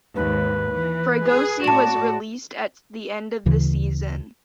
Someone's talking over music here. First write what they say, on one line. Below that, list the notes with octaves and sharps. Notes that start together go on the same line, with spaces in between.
Fregosi was released at the end of the season.
D#2 G#2 B4
E3
G#4
A2 F#4 D5 A5 E7
D2 C#3 E3